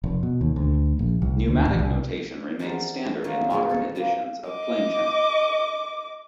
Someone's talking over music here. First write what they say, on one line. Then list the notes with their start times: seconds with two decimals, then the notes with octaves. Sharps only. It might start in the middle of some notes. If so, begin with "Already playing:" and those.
Neumatic notation remains standard in modern editions of plainchant.
0.04 F1
0.23 B2
0.41 D#2
0.56 D2
0.99 A#1
1.22 C2
1.48 D2
1.66 A1
1.79 C2
2.59 E2 G3 A#4 C5 F#5 A#5
3.24 D#3 F#3 A3 A#3 D#4 C5
3.50 A2 C#3 G#3 A#3 C4
3.69 A4 C#5
3.95 C3 A#3 C4 F4 B4
4.51 D#5 D6